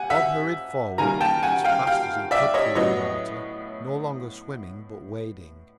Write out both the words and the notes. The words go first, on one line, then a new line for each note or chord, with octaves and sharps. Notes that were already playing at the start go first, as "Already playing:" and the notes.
Bob hurried forward as fast as he could through the water, no longer swimming, but wading.
Already playing: C3 F#5 G#5
E5 F#5
D#3 G3 A#3 G#5 A#5
G5 A5
F#5 G#5
F5 G5
F5 G5
D5 E5
C#5 D#5
A2 F#3 B3 C#5 D#5